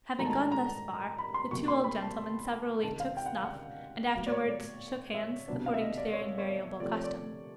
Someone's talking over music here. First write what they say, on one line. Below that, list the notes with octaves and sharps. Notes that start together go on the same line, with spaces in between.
Having gone thus far, the two old gentlemen severally took snuff, and afterwards shook hands, according to their invariable custom.
G#2 D#3 F#3 A3 A#5
A5
A#5
A5
A#5
B5
C6
C2 B2 F#3 A#3 C#6
C6
B5
A5
C#2 C3 D#3 A5
F5
G5
F#5
F5
F#5
A2 F#3 B3 F5
D5
C#5
D5
E5
C2 B2 F#3 B3 D4
F5
E5
D#5
D5
C#5
C#5
C3 F3 A3 C4 D5
C#5
D5